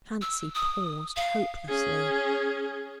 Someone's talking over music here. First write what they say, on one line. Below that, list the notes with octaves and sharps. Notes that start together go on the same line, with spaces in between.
Fancy paused hopelessly.
E6
D#6
F5
C#4 G#4